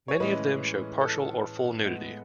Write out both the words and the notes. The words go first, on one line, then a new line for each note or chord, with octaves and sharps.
Many of them show partial or full nudity.
C#5
A2 E3 G#3 C#4 B4 D#5
A4
A2 G#3 B3